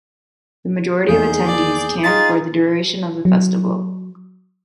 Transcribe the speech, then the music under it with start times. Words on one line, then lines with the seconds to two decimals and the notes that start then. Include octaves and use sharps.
The majority of attendees camp for the duration of the festival.
1.08 E2 A#3 D#4 G#4 G6
1.46 D5
2.03 D#4 F4 G#4 A6
3.25 F#3